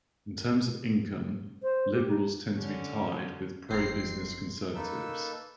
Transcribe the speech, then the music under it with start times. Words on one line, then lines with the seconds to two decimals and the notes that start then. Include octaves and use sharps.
In terms of income, liberals tend to be tied with pro-business conservatives.
1.63 C5
1.93 G4
2.08 D#4
2.56 D3 C#4
3.70 F#1 F2 C4 A#5 C7
4.75 A#3 D#4 A4 B4 E6